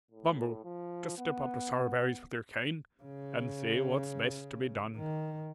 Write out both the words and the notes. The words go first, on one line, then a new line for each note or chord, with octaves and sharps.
Bumble, just step up to Sowerberry's with your cane, and see what's best to be done.
A2
F3
B3
C#3
D#3